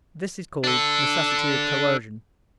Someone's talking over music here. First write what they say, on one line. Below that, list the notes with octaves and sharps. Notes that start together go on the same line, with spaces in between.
This is called "necessity of coercion."
D4 A4